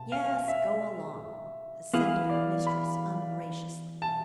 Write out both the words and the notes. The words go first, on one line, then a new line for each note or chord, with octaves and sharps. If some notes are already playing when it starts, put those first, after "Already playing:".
"Yes, go along," assented her mistress ungraciously.
Already playing: B2 A5
F5
E5
E3 B3 E4 G#4 B4 F5
D5
B5
A5